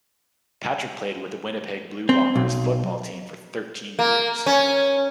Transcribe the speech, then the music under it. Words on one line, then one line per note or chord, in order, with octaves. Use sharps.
Patrick played with the Winnipeg Blue Bombers football team for thirteen years.
C4
B1
A#3
C#4